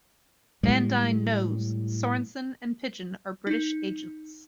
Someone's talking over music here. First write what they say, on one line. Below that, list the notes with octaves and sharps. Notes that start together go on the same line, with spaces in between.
Van Dyne knows Sorensen and Pidgeon are British agents.
A2 G3 G#3
D#4